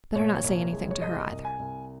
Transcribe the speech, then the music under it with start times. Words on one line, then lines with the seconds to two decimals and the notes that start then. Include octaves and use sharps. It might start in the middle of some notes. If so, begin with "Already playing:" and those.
"Better not say anything to her either."
0.15 A#2 C#5
0.44 C2
0.73 G#3
0.91 C#5
1.01 C2 D#5
1.31 C2
1.45 G#5
1.59 C2